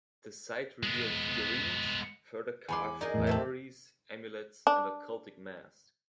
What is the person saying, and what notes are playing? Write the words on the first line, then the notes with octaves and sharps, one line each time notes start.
The site revealed figurines, further carved ivories, amulets and a cultic mask.
G#3 B3
E2 C#5 G#5 B5 C6 D6
D#4 G#4 A#4 D5 G#5
E2 A2
C3 A3 C4 E5 A5
D4